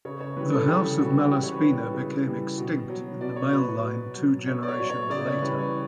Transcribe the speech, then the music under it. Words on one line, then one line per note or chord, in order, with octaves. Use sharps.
The house of Malaspina became extinct in the male line two generations later.
C#3 C#5
C#5
E3 G3 B4
A4
C#3 G4
E3 G3 F#4
C#3 G4
C#5
B4
E3 G3
B4
C#3
E3 G3
B2
F#3
B2 D5
C#5
F#3 B4
C#5
B2
F#3
B2 C#5
D5
C#5
F#3
C#5
C#3 D5
C#5
E3 G3 B4
C#5